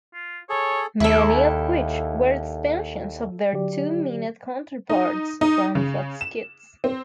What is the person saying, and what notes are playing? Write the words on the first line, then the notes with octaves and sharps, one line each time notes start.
Many of which were expansions of their two-minute counterparts from Fox Kids.
F4
G#4 A4 C#5
D#2 E4 A4
D3 F#3 G4 D5
D#4
D#4
C#3
E7
C4